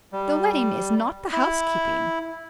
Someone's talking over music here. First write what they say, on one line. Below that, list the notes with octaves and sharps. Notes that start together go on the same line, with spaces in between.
The wedding is not the housekeeping.
G3
E4